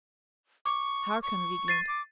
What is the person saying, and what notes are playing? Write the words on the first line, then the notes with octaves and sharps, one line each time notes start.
Hearken, Viglund!
C#6 D6
C#6
A6 C7 D#7
D6